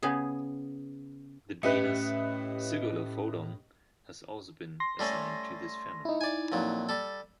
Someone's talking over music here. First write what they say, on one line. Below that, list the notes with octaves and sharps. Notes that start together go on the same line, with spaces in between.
The genus "Zygolophodon" has also been assigned to this family.
C#3 B3 G#4
A2 C#4 G4 B4 D#5 E5 D#6 C#7
C6 A#6
G3 A3 C#4
D#4 E4
D5 G#5
F2 A#2 F#3
G3 A4